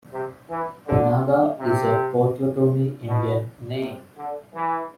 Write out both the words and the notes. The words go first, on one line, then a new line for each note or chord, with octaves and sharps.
Onaga is a Potawatomi Indian name.
C3
E3
D3
C3
B2
C3
D3
E3